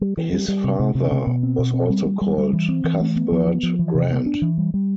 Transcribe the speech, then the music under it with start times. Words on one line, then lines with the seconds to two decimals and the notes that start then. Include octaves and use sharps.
His father was also called Cuthbert Grant.
0.01 G3
0.17 E3
0.33 G3
0.48 G3
0.64 C3
0.80 C3
0.95 C3
1.12 C3
1.27 B2
1.43 C4
1.59 B2
1.74 C4
1.90 G3
2.06 G3
2.21 G3
2.38 G3
2.53 E3
2.69 C4
2.84 E3
3.00 A3
3.16 B3
3.32 F3
3.48 B3
3.63 F3
3.79 E3
3.95 C3
4.10 B3
4.26 D4
4.42 E3
4.58 G3
4.74 G3